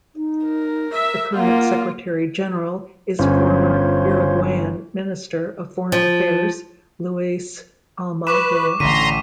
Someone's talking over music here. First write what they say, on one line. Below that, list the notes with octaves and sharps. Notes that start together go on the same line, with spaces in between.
The current Secretary General is former Uruguayan minister of foreign affairs Luis Almagro.
D#4
A#4
E5
A#3 F4 F#5
G1 C#4 F4 C5 C#5
F3
B4 C#6 D6 E7
A1 A2 D3 A#5 C6 B6 D#7